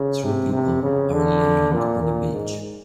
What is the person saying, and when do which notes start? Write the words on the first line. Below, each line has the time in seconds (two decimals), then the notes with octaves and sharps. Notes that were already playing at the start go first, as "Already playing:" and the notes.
Three people are laying on a beach.
Already playing: C#3
0.23 C3
0.53 C3
0.83 C#3
1.13 D3
1.73 A#2
2.03 A#2
2.33 G#2